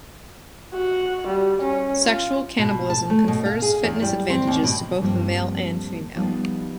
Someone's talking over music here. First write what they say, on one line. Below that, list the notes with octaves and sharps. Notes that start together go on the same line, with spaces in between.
Sexual cannibalism confers fitness advantages to both the male and female.
F#4
G3
C#4
F4
B2
A5
A3
B2
F5
G#4
E2
G3
C4
D#2
B2
G2 F3 G3 G#3 A#3 C4
F3 G3 B3 D#4